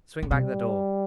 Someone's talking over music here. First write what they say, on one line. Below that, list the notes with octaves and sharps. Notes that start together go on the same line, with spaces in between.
Swing back the door.
C#3
C3 G3